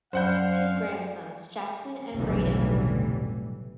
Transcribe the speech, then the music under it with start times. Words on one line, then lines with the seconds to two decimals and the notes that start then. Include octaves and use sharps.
Two grandsons, Jaxon and Braedon.
0.13 F#2 C5 D5 F5 F#5 B5 G6
2.16 F1 B1 A2 D3 E3 G3